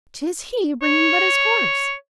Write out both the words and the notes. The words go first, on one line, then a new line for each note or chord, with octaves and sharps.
'Tis he bringing but his horse!
C#5